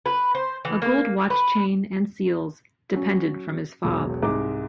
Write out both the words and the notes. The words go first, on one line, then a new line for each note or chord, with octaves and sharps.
A gold watch-chain, and seals, depended from his fob.
B4
C5
E3
A#3
B4
F#3 C#4
E1 B1
C2 G#2 G#3 D#4 D6